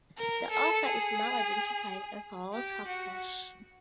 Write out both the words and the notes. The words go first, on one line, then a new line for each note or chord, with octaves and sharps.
The author is now identified as Walter Bosch.
A#4
A4
G#4
G4
F#4